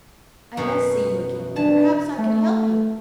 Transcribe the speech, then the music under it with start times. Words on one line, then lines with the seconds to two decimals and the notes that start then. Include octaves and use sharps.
I must see you again; and perhaps I could help you.
0.57 F#2 B2
1.56 E3 D4 A5
2.18 A3